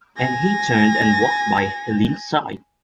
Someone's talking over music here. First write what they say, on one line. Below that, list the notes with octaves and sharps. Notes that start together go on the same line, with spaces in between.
And he turned and walked by Helene's side.
G#5 A#6